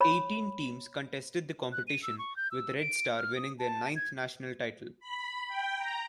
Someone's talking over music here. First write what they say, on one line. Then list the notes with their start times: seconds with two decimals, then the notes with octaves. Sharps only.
Eighteen teams contested the competition, with Red Star winning their ninth national title.
0.01 C#5 B5
1.72 F#6
1.88 D#7
2.03 E6
2.18 C#6
2.37 G6
2.51 E6
2.80 D7
3.17 F6
3.37 D#6
3.59 A5
3.96 G#6
5.00 B5
5.48 G5
5.77 A#5